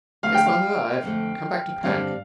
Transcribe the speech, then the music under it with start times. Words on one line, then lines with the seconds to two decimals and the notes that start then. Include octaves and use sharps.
'Yes, mother; I've come back to pack.
0.23 F2 D3 A3 F5
0.34 G5
0.46 F5
1.03 F2 D3 A3
1.83 G2 D3 G3 C4 F5